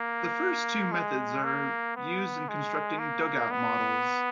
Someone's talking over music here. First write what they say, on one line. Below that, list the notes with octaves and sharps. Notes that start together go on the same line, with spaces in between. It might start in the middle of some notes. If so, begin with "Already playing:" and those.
The first two methods are used in constructing dugout models.
Already playing: A#3
G#3
A#3
B3
G#3
A#3
B3